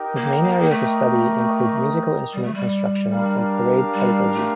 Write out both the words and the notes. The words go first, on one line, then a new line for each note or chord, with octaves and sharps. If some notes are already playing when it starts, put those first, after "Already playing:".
His main areas of study include musical instrument construction and parade pedagogy.
Already playing: D#4 G4 A#4 D#5 G5
A#3
A#3
A#3
A3
G3
A3
G3
D4 G4 A#4 F5
G3
A3